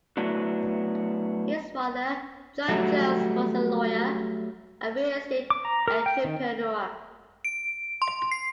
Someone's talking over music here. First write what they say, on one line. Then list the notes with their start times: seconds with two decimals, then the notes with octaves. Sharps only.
His father, John Jones, was a lawyer and real estate entrepreneur.
0.17 F#3 A3 B3 D4 E4 F#4
2.68 F#3 G3 A3 F#4
5.50 D6
5.65 A#5
5.88 A#4
6.06 G5
6.24 D#3
7.45 D7
8.02 C6
8.31 C7